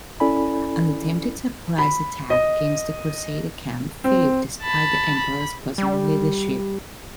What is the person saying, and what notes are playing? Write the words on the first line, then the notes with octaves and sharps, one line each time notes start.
An attempted surprise attack against the crusader camp failed despite the Emperor's personal leadership.
C#4 E4 A4 D5 G#5 B5
B5
D#5
C4
A5 B5
B5
G3